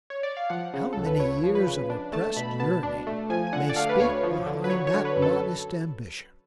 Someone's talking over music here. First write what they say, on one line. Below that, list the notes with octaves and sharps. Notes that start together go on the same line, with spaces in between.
How many years of repressed yearning may speak behind that modest ambition!
C#5
D5
F5
F3 F#5
C#3
C#2 A4
B4
C#2 C#5
F3
B4
C#3
D4
A3 A5
B2 B5
B2 A5
D4
A3
F3 G#5
G#5
D3 F#5
D5
A3 F5
B4
D2 C#5
F3
D3
B4
F#3 C#5
C#5
D3
B4
F#2
A4